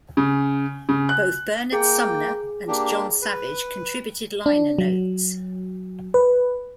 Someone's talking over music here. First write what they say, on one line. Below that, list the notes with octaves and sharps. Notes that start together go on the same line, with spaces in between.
Both Bernard Sumner and Jon Savage contributed liner notes.
C#3
C#3
F#6
A#3 G#4 G5
A#3 D4 G4
B4
D4
F#3
B4